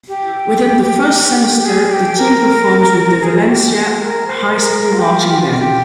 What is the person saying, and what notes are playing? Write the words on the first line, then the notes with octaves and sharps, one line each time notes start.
Within the first semester the team performs with the Valencia High School Marching Band.
G4
G4
G#4
G4
A#4
G#4
G4
G#4
A#4
C5
A#4
A#4
F4
G4
F4
G4
F4
G4